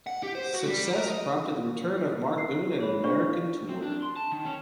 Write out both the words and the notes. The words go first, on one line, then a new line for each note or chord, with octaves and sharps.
This success prompted the return of Mark Boon and an American tour.
F#5
G4
C5
F#4
G3
A#4
D#5
C7
G#4 C#5 B5
D4 C5 D5 F5 C#6
C4
D4
C6
A5
D#3
C#4